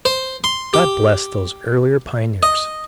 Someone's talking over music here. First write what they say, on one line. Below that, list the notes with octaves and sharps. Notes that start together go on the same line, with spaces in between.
God bless those earlier pioneers!
C5
C6
G4
D#5